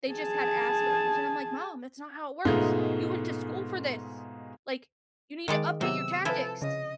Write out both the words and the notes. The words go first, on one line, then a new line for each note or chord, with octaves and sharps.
They just had Asperger's," and I'm like, "Mom, that's not how it works. You went to school for this. Like, you need to update your tactics."
G#4 A5
G#2 B2 G#3 A3 D#4 F4
D#3 G#3 D5
C3 F#3 B3 G4 E6
F3 E4 A4 B4 G#5
C#3 D#5